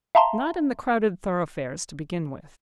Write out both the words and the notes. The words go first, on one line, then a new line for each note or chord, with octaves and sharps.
Not in the crowded thoroughfares, to begin with.
E5 F5 A5 A#5 C6